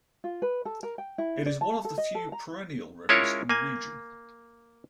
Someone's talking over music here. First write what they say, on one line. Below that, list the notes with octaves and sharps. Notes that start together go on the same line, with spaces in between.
It is one of the few perennial rivers in the region.
F4
B4
A4
A#4
G5
E4
D5
A5
A4
D#5
A4
A#5
G#3 C#4 E4 F4 A#4 C#5
A#3 G#5